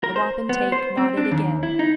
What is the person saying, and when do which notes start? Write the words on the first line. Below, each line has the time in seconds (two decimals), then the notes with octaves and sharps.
The wapentake nodded again.
0.04 A#4
0.16 C5
0.49 B3
0.72 C5
0.97 C4
1.17 D4
1.31 D#2
1.63 E4
1.79 D#4